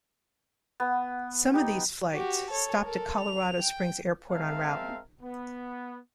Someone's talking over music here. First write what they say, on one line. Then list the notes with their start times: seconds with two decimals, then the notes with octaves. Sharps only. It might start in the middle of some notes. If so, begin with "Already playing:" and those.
Some of these flights stopped at Colorado Springs Airport en route.
0.80 B3
1.54 D#4 G4
2.14 F#4 G4
2.51 A4 C#5
2.84 A4 A#4
3.20 F7
3.60 G5
4.30 G#3 C4 A#4 E5 F5 A5
5.22 B3